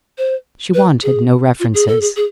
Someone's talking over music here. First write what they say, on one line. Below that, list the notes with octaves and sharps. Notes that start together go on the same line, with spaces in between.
She wanted no references.
C5
B4
G#4
F4
G#4
A4
G#4
G#4